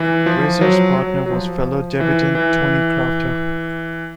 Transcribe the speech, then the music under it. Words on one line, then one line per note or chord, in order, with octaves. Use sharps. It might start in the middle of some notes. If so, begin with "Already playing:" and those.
Weser's partner was fellow debutant Tony Crafter.
Already playing: E3
F3
F#3
F#3
F#3
F3
E3
E3